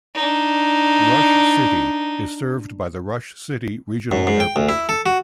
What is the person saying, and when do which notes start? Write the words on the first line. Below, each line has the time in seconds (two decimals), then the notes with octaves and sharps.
Rush City is served by the Rush City Regional Airport.
0.15 D4 D#4
4.12 F#2
4.27 G#2
4.40 G5
4.56 D2
4.69 E4
4.89 A4
5.06 F#4